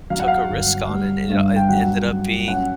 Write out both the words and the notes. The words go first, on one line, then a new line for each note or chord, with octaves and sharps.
took a risk on and it, uh, ended up being
F#3 F5
F#5
F5
G1
G3
G2
G5
F#3 F#5
F#3
C#4 F#5